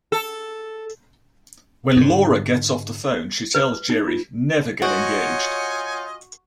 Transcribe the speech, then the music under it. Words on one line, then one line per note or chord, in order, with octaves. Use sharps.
When Laura gets off the phone she tells Jerry: Never get engaged.
A4
G#2 D3
B4
D#4
F4
F4 F#4 C#5 D#5 F#5 G#5 G6